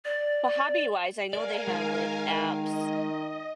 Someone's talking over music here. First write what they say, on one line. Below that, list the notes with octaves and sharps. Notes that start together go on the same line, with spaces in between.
But hobby-wise, I know they have, like, apps
D5
A#4 D5 F5 G#5
D#3 G#3
D#3
D#5